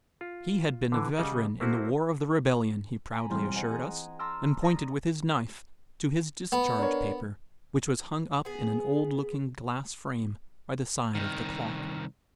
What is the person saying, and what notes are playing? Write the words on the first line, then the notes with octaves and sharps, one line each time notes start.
He had been a veteran in the War of the Rebellion, he proudly assured us, and pointed with his knife to his discharge-paper, which was hung up in an old looking-glass frame by the side of the clock.
F4
D3 E3
C#3 G3 D#5 F#5
A3 A#3 C4 E4 F#4
G#5 A#5 B5
E1 G3 C4 E4 C6 F6
A4 C5 D#5 F#5 G#5 A#5
G#4 A#5
A5 A#5 C6 D6 E6 F6
D5 A#5 D#6 G#6 A#6
B3
D4 A#4 C#5
B3 G#4
C2 D#3